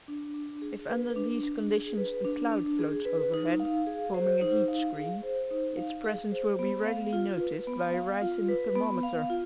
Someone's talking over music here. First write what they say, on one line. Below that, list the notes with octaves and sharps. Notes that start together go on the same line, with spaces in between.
If under these conditions a cloud floats overhead, forming a heat screen, its presence will be readily noticed by a rise in the thermometer.
D4
D4
G#4
B4
D4
D4
G#4
B4
D4
D4
G#4
B4
D#4
F5
G#4
C5
D#4
F5
G#4
C5
D#4
F5
G#4
C5
B3
F5
F4
B4
B3
F5
F4
B4
B3
F5
F4